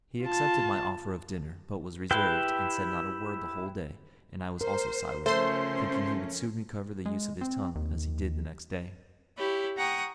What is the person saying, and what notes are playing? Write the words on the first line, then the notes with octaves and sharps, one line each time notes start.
He accepted my offer of dinner, but was reserved, and said not a word the whole day, and I was also silent, thinking he would soon recover the use of his tongue, as he did the next day.
F4 A5
E4 G4 B4 G5 C6
A#4 C5
C#3 F3 A3 C#4 C5 C6
G#3
C4
D#2
E4 G4 C#5 B5
F#5 G5 A#5 C#6 D#6